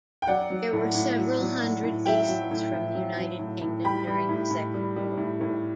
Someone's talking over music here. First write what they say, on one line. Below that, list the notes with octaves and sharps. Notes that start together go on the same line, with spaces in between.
There were several hundred aces from the United Kingdom during the Second World War.
G5
F#3 D5 F#5
F#3
A2
A2
F#3
F#3
A2
A2
F#3 E5 G5
F#3
A2
A2
F#3
F#3
A2
A2
G3 G5 B5
G3
A2
A2
G3
G3
A2
A2